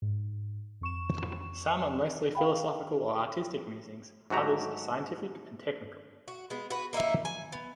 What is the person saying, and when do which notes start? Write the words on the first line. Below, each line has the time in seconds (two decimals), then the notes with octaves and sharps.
Some are mostly philosophical or artistic musings, others are scientific and technical.
0.02 G#2
0.81 F2 C#6 E7
2.35 F5 G5 B5
4.30 G#2 F#3 A3 F#4 G4 A#5
6.28 F#4
6.50 G#3 B3
6.70 F#4 B4
6.93 A#3 D#4 E4 E5
7.25 G#5
7.52 B3